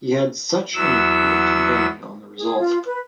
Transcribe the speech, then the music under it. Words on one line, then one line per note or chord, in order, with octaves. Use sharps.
He had such an important bearing on the result.
E2 F#3 E6
G#4
F4
B4